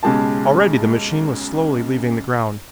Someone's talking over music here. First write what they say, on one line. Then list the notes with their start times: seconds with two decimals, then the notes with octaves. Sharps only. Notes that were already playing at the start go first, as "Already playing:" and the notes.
Already the machine was slowly leaving the ground.
0.03 B1 C#3 G#3 G4 A5